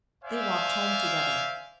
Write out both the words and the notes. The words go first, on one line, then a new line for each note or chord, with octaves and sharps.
They walked home together.
C5 D5 E5 F5 G#5